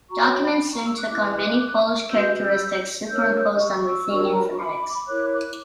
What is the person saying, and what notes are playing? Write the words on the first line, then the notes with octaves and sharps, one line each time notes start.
Documents soon took on many Polish characteristics superimposed on Ruthenian phonetics.
F#4 C#5 A#5 C#6
G5 B5
G5 B5
G5 B5
A#5 C#6
C#6 E6
D6 F#6
C#4 E4 B4 D6 F#6
C#4 F#4 B4 E6 G6
D4 A#4 C#5 E6 G6
C#6 E6
D4 F#4 A#4 C#5
G5
A#5
B5
C#6
B5 D6
E4 A#4 C#5 D6 F#6
D6 F#6